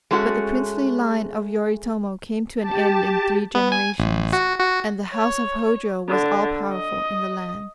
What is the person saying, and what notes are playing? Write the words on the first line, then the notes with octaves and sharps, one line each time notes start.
But the princely line of Yoritomo came to an end in three generations, and the house of Hojo was all-powerful in the land.
G#3 A3 C#4 F#4
G4 A5
B3
G#5
A1
F#4
F#4
C#5
D3
D#5